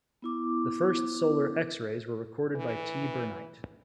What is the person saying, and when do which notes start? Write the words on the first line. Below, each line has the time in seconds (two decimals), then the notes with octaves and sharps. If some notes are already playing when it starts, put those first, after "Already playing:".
The first solar X-rays were recorded by T. Burnight.
0.22 B3 E4 D6
2.56 E3